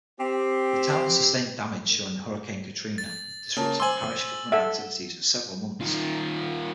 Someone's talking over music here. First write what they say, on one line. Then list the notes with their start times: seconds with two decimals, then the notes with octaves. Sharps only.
The town sustained damage during Hurricane Katrina, disrupting parish government activities for several months.
0.19 C4 G4
2.98 A6
3.57 C#3 A#3 A#4 C#5 A5
3.80 C5 G#5 C6 D6 E6 F#7
4.52 A4 E5 F#5
5.81 D#3 F4